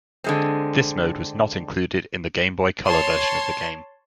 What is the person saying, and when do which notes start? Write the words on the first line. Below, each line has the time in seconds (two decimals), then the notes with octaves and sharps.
This mode was not included in the Game Boy Color version of the game.
0.24 D3 G#3 C4
2.86 C#5 A5 C6